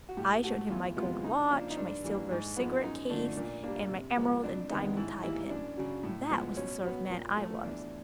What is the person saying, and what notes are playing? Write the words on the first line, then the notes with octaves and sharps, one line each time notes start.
I showed him my gold watch, my silver cigarette case, and my emerald and diamond tie-pin--that was the sort of man I was.
F#4
A2 G4
F#3 A3 F#4
E2 F4
C3 F3 G#3 B3 F4
C#3 D#4
F3 A#3 D4
D#4
G2 D4
E3 G3 A#3
G#2
F3 G#3 B3
F#2 D#4
D3 F3 A3 D4
A#2 D4
G3 A#3 D4
C3
F3 G#3 B3
F2 D4
C3 D#3 G#3 B3 D#4
G#2 E4
E3 G3 A#3 E4
F#2 D4
C#3 F#3
A2
F3 G#3 B3
B2 C#4
F#3 B3
A#2
F3 A3
E2 D4